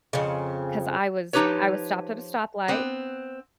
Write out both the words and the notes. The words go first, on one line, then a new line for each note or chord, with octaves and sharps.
'cause I was I was stopped at a stoplight,
F2 C#3
F3 D#4 G4 B4 C#5
B3 C4